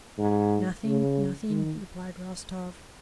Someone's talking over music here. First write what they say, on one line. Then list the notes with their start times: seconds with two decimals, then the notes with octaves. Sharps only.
"Nothing, nothing," replied Rostov.
0.18 G#2
0.85 C#3
1.50 D#3